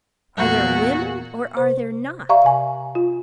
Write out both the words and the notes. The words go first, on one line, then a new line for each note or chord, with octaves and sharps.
Are there women or are there not?
E2 A#2 F#4
C3 C5
G4 D5 E5 F5 A#5 C#6
C3 G#5
F4